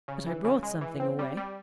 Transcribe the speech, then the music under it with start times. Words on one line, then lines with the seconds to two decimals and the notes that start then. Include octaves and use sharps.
But I brought something away.'
0.08 C#3
0.26 E3
0.45 C#3
0.63 G#3
0.81 E3
1.00 C4
1.19 G3
1.37 G3